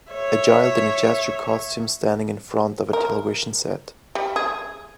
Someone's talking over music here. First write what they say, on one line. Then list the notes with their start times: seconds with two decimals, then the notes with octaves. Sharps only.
A child in a jester costume standing in front of a television set.
0.11 C#5 E5
2.93 A#4
4.15 G3
4.36 G#4